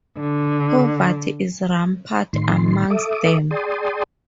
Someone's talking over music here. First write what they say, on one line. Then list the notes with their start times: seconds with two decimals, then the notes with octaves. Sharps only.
Poverty is rampant amongst them.
0.20 D3
2.33 A2 D#3 C6
2.90 A4 E5 D6 D#6
3.51 G#4 D5 G5 A5 C6 D#6